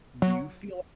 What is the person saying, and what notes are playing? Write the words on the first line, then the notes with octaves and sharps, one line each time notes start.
do you feel
F#3